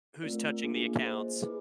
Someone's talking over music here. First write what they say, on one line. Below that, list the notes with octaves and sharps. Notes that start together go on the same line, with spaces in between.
Who's touching the accounts?
A3 C4 F4 A#4 D5
A#3 D4 F4 G#4
G#4 C5 D#5
E4 G#4 B4